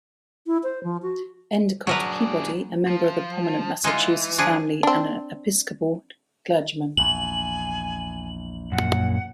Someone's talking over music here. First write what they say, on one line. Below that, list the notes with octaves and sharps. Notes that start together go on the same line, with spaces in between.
Endicott Peabody, a member of a prominent Massachusetts family and an Episcopal clergyman.
E4
C5
F3
F#4
F#3 D4 G#4 A#4 B4
F3
E3 G#3 D#4 F4
F3 D4 G#4
C4 D4
A#1 E2 G#5 F#7
F#2 A#2 F#5